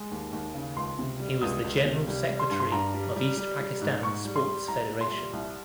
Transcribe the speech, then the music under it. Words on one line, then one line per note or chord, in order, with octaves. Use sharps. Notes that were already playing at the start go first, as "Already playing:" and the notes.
He was the General Secretary of East Pakistan Sports Federation.
Already playing: G#3
D#2
D#2
C#3
C#2 C6
C3
G3
C#2 D#6
C#2
C3
G3
G3
C6
G2
C6
G2 A#5
G3
G3
G3
G3
G#2
G#2 C#6
G3
C6
G3
C2 A#5
A#2
C6
G3
C2